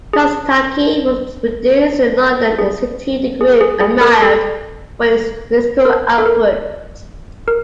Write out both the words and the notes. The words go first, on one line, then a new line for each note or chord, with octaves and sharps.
"Tostaky" was produced in London, a city the group admired for its musical output.
G#4
G#4
G#4
G#4
G#4
A#4
A4
A#4
A4
A#4
A#4